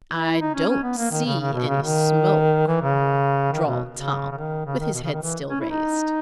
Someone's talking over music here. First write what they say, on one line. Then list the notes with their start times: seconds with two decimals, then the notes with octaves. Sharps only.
"I, don't, see, any, smoke," drawled Tom, with his head still raised.
0.12 E4
0.41 D#4
0.55 C#4
0.69 C#4
0.83 B3
0.97 A#3
1.11 D#3
1.26 C#3
1.40 C#3
1.54 B2
1.68 C#3
1.83 D#3
2.67 E3
2.82 C#3
3.52 D#3
3.66 B2
3.95 C#3
4.31 C#3
4.38 D#3
4.66 C#3
4.80 D#3
4.94 B2
5.04 C#3
5.13 D#3
5.22 E3
5.50 C#4
5.60 E4
5.70 D#4